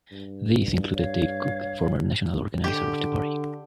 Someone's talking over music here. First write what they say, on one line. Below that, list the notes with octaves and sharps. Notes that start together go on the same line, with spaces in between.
These included Dave Cook, former National Organiser of the party.
G2
C#5 F5
D3 G4